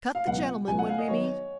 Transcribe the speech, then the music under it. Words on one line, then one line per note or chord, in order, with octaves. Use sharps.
Cut the gentleman when we meet?
F5
C#2 B2 F#3 B3 F4 F#5
C#2 B2 F#3 B3 F4 G#5
F#5
F5
D#5
D#3 F#3 B3 F#4 C#5